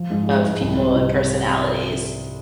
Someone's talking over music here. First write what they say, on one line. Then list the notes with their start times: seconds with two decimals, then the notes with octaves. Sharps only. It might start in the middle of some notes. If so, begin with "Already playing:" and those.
of people and personalities.
Already playing: F3
0.10 G#2
0.27 G#3
0.45 G#2
0.61 C2
0.79 C4
0.96 C3